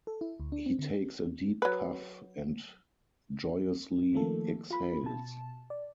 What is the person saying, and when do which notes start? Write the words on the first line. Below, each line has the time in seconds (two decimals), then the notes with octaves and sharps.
He takes a deep puff and joyously exhales.
0.07 A4
0.21 E4
0.40 D2
0.52 D4
0.66 C4
0.79 D3
1.62 F#3 B4
4.13 D#3 F3 A3 A#3 A4
4.70 F4 B5
5.04 B2 A5
5.70 D5